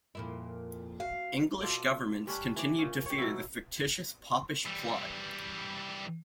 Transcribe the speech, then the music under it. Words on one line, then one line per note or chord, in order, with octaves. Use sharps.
English governments continued to fear the fictitious Popish Plot.
F2 A#2 E4
F#4 F5
B2 F4 A4 D5
G3 C#4 D4
E3 D5
A#2 C#4
G4 C#5
B2 F#3 E4
E3 G3